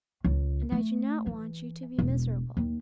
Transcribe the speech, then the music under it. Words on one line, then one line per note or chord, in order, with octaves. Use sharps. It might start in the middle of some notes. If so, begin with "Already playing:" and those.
And I do not want you to be miserable.
C#2
A3
E3
E1
D#2